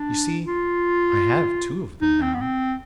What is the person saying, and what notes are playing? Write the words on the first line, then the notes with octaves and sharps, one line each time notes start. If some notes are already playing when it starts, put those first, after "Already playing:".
You see, I have two of them now.
Already playing: D4
F4
D#4
C4
B3
C4